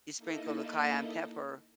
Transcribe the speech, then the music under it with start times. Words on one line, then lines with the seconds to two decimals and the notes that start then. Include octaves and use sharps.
You sprinkle the cayenne pepper
0.17 A#3 D#4 E4 A4 D#5